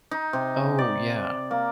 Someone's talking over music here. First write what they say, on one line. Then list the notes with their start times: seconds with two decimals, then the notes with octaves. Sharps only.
Oh yeah.
0.11 D#4
0.33 C3
0.79 D5
1.51 A#3